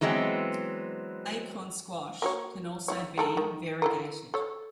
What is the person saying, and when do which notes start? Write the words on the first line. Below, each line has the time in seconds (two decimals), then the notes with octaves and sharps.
Acorn squash can also be variegated.
0.01 E3 F#3 G#3 B3 C4
2.22 A#3 F#4 C#5
2.88 E4 F#4 C#5
3.18 G#3 A4 A#4
3.37 D#3
3.82 E4 A4 A#4
4.34 A4 C#5